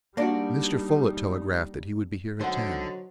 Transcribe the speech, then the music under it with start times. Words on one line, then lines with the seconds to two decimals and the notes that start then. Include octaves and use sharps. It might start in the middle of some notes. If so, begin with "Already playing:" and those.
"Mr. Folett telegraphed that he would be here at ten."
0.17 G3 A#3 D4 D#4 F#4 A#4 D5
2.40 D3 F#3 D#4 C5 F#5